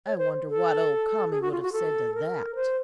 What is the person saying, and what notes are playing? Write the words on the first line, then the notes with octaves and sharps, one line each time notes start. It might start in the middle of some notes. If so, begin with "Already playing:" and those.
I wonder what old Kami would have said to that.'
C#5
C5
A4
G#4
F#4
F4
F#4
A4
A#4
C5